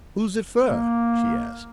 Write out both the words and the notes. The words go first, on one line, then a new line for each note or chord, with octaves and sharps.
"Who's it fur?" she asked.
A#3